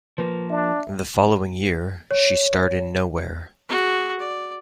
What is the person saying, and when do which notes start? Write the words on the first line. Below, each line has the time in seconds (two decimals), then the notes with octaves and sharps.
The following year, she starred in "Nowhere".
0.18 F3 A#3 B4
0.50 D4 E5
2.11 C#5
3.69 F#4 G#4
4.19 D5